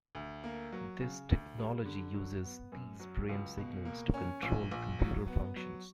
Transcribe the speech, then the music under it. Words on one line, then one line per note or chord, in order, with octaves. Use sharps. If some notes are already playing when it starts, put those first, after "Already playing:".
This technology uses these brain signals to control computer functions.
D2
A#3
F#3
C#3
D2
G3
D3
F#3
B3
F#2
F#3
C#2
B2
A#3
C#4
A#1
A#1
F#3
B3
F#3